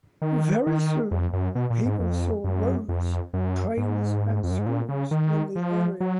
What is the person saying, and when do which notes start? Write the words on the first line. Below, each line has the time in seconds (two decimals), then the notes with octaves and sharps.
Very soon people saw roads, trains and schools in the area.
0.22 D#3
0.67 D#3
1.11 F2
1.33 F#2
1.55 B2
1.70 A#2
1.85 G#2
2.00 F2
2.44 F#2
2.89 F2
3.33 F#2
3.77 G#2
4.44 F2
4.51 F#2
4.59 G#2
4.66 A#2
4.89 C#3
5.11 D#3
5.55 F3
6.00 F#3